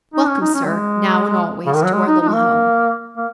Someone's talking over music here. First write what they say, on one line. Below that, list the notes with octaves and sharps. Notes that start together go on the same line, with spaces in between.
Welcome, sir, now and always, to our little home.
D#4
C#4
D#4
C#4
F#3
G#3
C#3
D#3
F#3
G#3
D#4
D#4
G#3
A#3
A#3